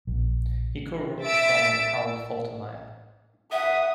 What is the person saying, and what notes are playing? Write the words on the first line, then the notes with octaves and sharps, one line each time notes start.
He co-wrote the song with Harold Faltermeyer.
A#1
E5 E6 A6 D7
E5 F#5 D#6